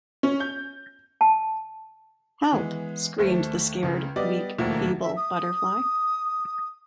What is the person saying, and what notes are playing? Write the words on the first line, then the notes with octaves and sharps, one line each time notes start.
Help! —screamed the scared weak, feeble butterfly.
C#4
G6
A5
E3 G#3 B3
D#2 A3 C5
C#2 C#3
G3 B3 D5 D#5
E1 D#2 F3 A3 A#3
E5
D#6